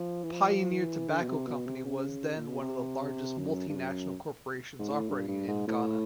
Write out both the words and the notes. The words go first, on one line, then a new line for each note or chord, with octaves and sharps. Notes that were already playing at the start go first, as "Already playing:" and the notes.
Pioneer Tobacco Company was then one of the largest multinational corporations operating in Ghana.
Already playing: F3
E3
F3
E3
D3
B2
C3
B2
C3
C#3
A#2
B2
C3
F#2
G2
F#2
G#2
A2
G2
G2
G#2
A2